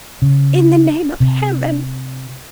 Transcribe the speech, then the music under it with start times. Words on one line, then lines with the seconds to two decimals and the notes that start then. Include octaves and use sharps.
"In the name of heaven!"
0.22 C#3
1.20 C3